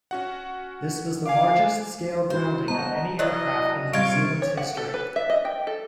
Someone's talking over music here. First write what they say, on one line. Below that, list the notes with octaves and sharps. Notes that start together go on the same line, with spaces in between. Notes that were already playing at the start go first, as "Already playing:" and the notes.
This was the largest-scale grounding of any aircraft in New Zealand's history.
C#4 F#4 F#5
F5 G#5 D6
E4 F#4 C5
B3 F#4 D#5 A5 A#5
F#3 D4 E4 D#5
C3 G3 F4 F5 C#6 G#6 D7
C#5
F#5
A4
B4
E5
D#5
G5
A4